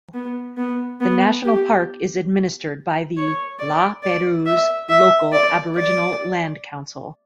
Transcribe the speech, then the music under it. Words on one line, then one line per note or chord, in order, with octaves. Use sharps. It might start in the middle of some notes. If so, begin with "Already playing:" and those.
The national park is administered by the "La Perouse Local Aboriginal Land Council".
B3
B3
B3
G4
C#5
D5
D5
E5
E5
D5
D5